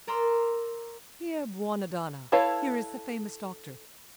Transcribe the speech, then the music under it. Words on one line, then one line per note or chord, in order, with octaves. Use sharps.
Here, buona donna! here is the famous doctor.
A#4 D5 A#5 C6 E6 F6
E4 A4 B4 C#5 F5